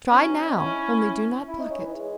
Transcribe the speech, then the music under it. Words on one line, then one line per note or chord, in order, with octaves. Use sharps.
Try now--only do not pluck it.
E3 C#4
F#3
D#4
C#4 E4
E4
D#4
C#4
E3
G#3